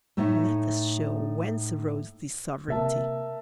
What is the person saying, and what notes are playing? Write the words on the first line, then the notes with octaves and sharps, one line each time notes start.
Let us show whence arose this sovereignty.
A2 A3 D#4 C#5 E5
C3 A#3 A#4 E5 A5